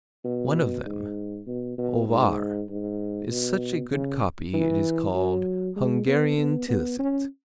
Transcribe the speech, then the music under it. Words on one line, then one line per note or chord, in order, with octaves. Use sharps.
One of them, Ovar, is such a good copy it is called Hungarian Tilsit.
B2
G#2
B2
B2
G#2
G#2
B2
C#3
E3
F#3
G#3
B3
B3
B3
C#4